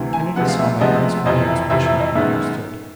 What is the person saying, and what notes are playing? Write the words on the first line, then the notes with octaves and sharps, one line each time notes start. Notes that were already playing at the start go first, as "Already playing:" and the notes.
Kennedy saw my crestfallen expression and understood.
Already playing: D2 C3 E3
G#5
D2 C3 F3 G#3 B3 F#5
F5
E5
D2 C3 F3 G#3 B3 D#5
F2 C3 E3 D#5
E5
F2 C3 E3 E5
E5
D#5
F#2 D#3 G#3 B3 E5